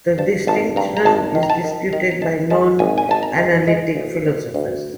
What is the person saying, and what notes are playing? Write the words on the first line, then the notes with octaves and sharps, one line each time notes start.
The distinction is disputed by non-analytic philosophers.
G2 A5
G#1 A5
G2 A#5
A#5
G#1 A5
D#3
A#5
A5
D#3
D#3 A#5
A#5
G#3 A5
G#3 A5
G#1 G#5
G#5
G#1 A5
A#5
G#3
G#3
D2
D2
D2